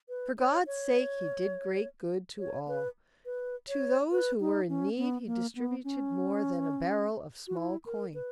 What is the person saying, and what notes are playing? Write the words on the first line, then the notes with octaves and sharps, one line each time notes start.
For God's sake he did great good to all: to those who were in need he distributed more than a barrel of small coins.
B4
C#5
C#5
C#5
B4
B4
C#5
B4
D#4
C#4
B3
A#3
B3
C#4
F#4
E4
A#4
B4